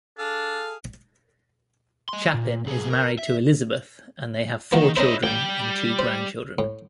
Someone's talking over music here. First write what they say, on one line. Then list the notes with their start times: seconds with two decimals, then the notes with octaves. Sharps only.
Chapin is married to Elizabeth and they have four children and two grandchildren.
0.19 D4 G#4 A4 F5 F6
2.09 D#5 C6
2.34 A#2
2.66 B1 G#4
2.90 A#4
3.19 E5
4.72 D#3 E3 A#3 F#4
4.97 C#4 E4 A#4 C5 D#5
5.23 A1 G3 G5
5.99 C5
6.59 A2